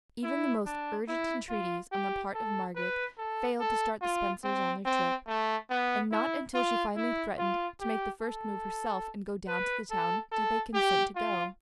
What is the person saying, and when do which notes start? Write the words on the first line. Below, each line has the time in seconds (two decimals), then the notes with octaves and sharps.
Even the most urgent entreaties on the part of Margaret failed to start the Spencers on their trip, and not until she finally threatened to make the first move herself and go down to the town, did they consent to go.
0.23 E4
0.66 D4
1.08 E4
1.49 F4
1.92 G4
2.34 A4
2.76 B4
3.18 A4
3.60 A4
4.02 F4
4.43 C4
4.85 C4
5.27 A3
5.70 B3
6.12 E4
6.54 F4
6.96 E4
7.38 F4
7.80 G4
8.22 A4
9.48 B4
9.90 A4
10.32 A4
10.74 G4
11.16 F4